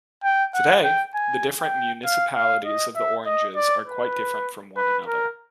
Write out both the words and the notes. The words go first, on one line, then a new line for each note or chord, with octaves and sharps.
Today, the different municipalities of the Oranges are quite different from one another.
G5
F#5
G5
G#5
G5
F5
F5
D#5
E5
D#5
D5
B4
B4
A#4